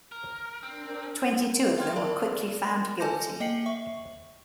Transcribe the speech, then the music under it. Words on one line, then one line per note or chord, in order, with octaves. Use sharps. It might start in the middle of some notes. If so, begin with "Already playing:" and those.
Twenty-two of them were quickly found guilty.
A#4
C4 D4 A#4
F5 G5 C6 F6 G#6
A#4 D5 A5 B5
A4 G#5 A5 D6 G6 A#6
A#3 D#5 G5 C7 C#7 F#7
E5 C#6